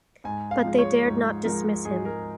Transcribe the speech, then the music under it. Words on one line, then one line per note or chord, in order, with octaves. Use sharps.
But they dared not dismiss him.
G#2 G#5
F5
F3 G#3
C#5
G#2
F3 G#3 A#4
G#2 G#4
A#4